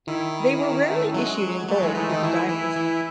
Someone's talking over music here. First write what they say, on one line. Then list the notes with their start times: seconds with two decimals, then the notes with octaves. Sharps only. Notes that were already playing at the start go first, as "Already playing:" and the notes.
They were rarely issued in Gold with Diamonds.
0.07 D#3 E4
0.61 C#4
0.88 A3
1.14 F#3 G#3
1.69 F#3 A3
1.77 G#3
1.82 E3 A3
1.96 E3 D#4
2.10 D#3
2.22 E3 E4
2.49 E3 E4
2.76 E3 E4